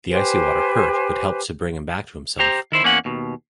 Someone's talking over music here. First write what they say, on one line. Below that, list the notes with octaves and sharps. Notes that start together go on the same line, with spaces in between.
The icy water hurt, but helped to bring him back to himself.
G4 B4 C5 G#5
G4 C5 A#5
D#3 E4 C5
E2 A#3 C#4 F#5
D#2 B2